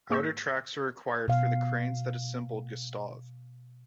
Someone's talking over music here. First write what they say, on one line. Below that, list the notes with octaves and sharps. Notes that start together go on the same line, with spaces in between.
Outer tracks were required for the cranes that assembled Gustav.
G#2 A#3 G#4 C#6 E6 G6
B2 F5